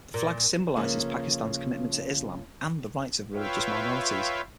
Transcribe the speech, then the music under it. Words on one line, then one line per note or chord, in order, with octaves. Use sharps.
The flag symbolizes Pakistan's commitment to Islam and the rights of religious minorities.
A#2
C#3 F3 A#3 B4
F4 B4 C#5 E5 F5 G5